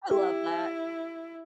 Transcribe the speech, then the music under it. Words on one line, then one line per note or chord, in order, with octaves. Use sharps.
I love that.
E4 G4